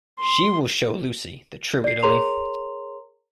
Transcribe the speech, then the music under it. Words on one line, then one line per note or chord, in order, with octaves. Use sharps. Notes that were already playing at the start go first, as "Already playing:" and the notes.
She will show Lucy the true Italy.
C6
D5 C7
G#4 A#4 C#5 A#5 C6 F7